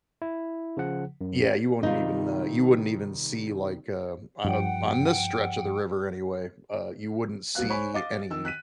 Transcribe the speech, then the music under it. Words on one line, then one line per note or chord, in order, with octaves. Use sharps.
Yeah, you wouldn't even, uh you wouldn't even see, like, uh o o on this stretch of the river anyway, uh, you wouldn't see any
E4
C#3 F3 F#5
F#2
C3 D#3 G3 D#4 F4
G2 F3 F#5 G5
C2 F#3 B3 F5 F#6
C5 C#5 G#5 B5 C#6
D#5 F5 D6 A6
D#3 E6
F#6 B6 D#7